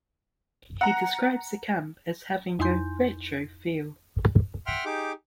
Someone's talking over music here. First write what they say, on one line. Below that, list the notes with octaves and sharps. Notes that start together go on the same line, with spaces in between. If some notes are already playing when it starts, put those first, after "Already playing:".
He describes the camp as having a "retro" feel.
F#5 A#5
F2 D#4 E4 G#5 C6 G6
E5 F#5 G5 C6 F6
D#4 G4 G#4 D6